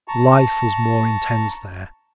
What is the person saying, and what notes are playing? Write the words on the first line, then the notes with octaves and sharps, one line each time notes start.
Life was more intense there.
A5 A#5 C#6